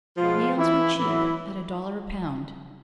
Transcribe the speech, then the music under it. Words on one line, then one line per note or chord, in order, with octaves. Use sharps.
Nails were cheap at a dollar a pound.
B2 F3 G#3 B3 F4
E3 E4
A2 E3 F#3 B3 E4